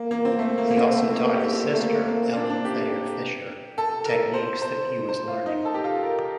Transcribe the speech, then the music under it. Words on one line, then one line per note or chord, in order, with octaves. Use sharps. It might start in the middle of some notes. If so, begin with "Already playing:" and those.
He also taught his sister, Ellen Thayer Fisher, techniques that he was learning.
Already playing: A#3
A#3
C4
A3
A#3
A#3
C4
A3
C4
A#3
G4
C4
A3
A#3
A#3
C4
D4
D4
G4
A4
A#4
C5
C5
C5
F4
D#4
A4
G4
F4
A#4